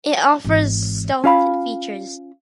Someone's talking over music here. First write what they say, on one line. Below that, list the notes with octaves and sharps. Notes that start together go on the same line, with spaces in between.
It offers stealth features.
G#1 E3
C#4 F4 F5 B5